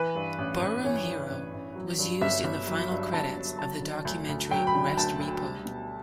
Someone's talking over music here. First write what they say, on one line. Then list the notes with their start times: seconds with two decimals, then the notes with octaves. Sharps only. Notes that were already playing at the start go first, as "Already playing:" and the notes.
"Barroom Hero" was used in the final credits of the documentary "Restrepo".
Already playing: E3 B4
0.15 G2
0.38 A1
0.61 A1
0.84 E3 C#5
1.07 G2
1.30 A1
1.53 A1
1.75 F#3
1.99 G2
2.22 G1 E5
2.44 G1
2.67 F#3
2.91 G2
3.14 G1 A5
3.37 G1
3.59 F#3 A5
3.82 D3
4.05 D2
4.29 D2
4.51 F#3 G5
4.67 B5
4.75 D3
4.97 D2 A5
5.19 D2
5.42 G3
5.65 B2